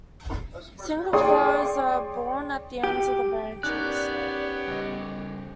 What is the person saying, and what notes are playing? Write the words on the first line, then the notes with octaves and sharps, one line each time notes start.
Single flowers are borne at the ends of the branches.
G#4 C#5 D5 G5 C6 D#6
G4
B3 C#4 D#4 G4 A#4 C#5 D5 F#6
C#3 G3 A4 D#5